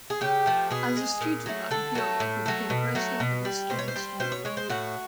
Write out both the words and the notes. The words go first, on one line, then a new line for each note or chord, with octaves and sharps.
As a student at Imperial he became president of its students' union.
G#4
C#3 G4
F3 A3
B2 G#4
G#3
A#2
F#3 A3
D3 A4
F#3 A3
A2
F#3 A3
B2
F#3 A3
B2
G3
B2 C5
C#5
C5
G3
B2 C5
C#5
G#3 C#5
C5
A2 F#4